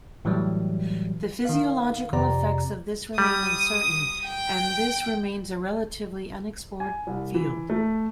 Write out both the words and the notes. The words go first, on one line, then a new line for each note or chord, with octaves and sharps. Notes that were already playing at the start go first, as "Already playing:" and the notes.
The physiological effects of this remain uncertain, and this remains a relatively unexplored field.
A2 E3 F#3 G3
D#3 F5
F2 C3 D5 A#5
G3 D#6
G5
G#5
C2
E3
A3